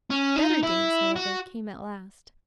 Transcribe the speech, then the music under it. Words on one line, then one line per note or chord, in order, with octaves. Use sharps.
Better days, however, came at last.
C#4
D#4
E4
F#4